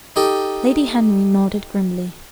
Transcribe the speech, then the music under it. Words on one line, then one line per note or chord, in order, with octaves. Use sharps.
Lady Henry nodded grimly.
D#4 G4 A4